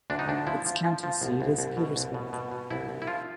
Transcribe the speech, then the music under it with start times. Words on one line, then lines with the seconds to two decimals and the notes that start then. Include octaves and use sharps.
Its county seat is Petersburg.
0.10 D2 D4
0.19 D#4
0.28 D2 D4
0.47 F3 E4
0.66 F3
0.84 F3
1.03 F3
1.22 C2
1.40 C2
1.59 C2
1.77 B2
1.96 C2
2.14 B2
2.33 B2
2.51 B2
2.70 C2 E4
2.89 C2
3.02 E4
3.07 F3 F4